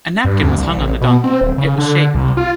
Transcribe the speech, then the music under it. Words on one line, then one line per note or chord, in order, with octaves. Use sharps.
A napkin was hung on the donkey; it was shaved.
G2
D2
C2
A1
B2
C4
D1
C#3
D3
C2
F4